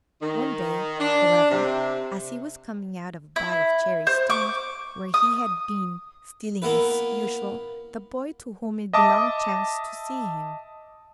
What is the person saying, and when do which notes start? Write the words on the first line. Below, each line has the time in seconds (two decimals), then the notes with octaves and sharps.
One day, however, as he was coming out of a bag of cherry stones, where he had been stealing as usual, the boy to whom it belonged chanced to see him.
0.22 D#3
1.00 D4
1.51 C3
3.36 E4
4.07 C5
4.30 C#6 D6
5.14 D#6
6.62 A#3 B3 E4 B4
8.93 D#5 E5 A5 D6 D#6